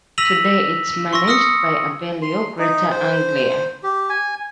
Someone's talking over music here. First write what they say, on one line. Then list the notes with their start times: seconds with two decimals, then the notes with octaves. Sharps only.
Today it is managed by Abellio Greater Anglia.
0.18 E6 A#6 B6 D#7 F7 F#7
1.13 C6 C#6 E6 A#6
1.27 D#6 F6 A#6 C#7
2.22 C6
2.59 D#4
2.91 C5
3.83 G4
4.09 G#5